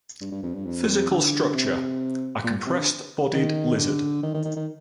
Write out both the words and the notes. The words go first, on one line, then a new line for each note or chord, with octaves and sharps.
Physical Structure: A compressed bodied lizard.
G2
G2
F2
G2
F2
D3
C3
A#2
C3
D3
D#3
D3
D#3
D#3
D#3
D#3